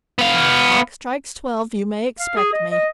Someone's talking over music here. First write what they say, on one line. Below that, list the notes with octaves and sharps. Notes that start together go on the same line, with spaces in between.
"When the clock strikes twelve you may expect me."
B3 F5
F5
G#4
D#5
D#5